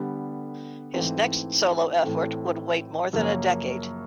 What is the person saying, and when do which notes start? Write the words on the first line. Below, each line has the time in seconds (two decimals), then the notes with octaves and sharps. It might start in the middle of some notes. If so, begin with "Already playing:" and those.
His next solo effort would wait more than a decade.
Already playing: D3 G3 B3
0.94 G#2 E3 A3 C4
2.03 A2 E3 A3 C4
3.13 F#2 C#3 F3 A#3 C#4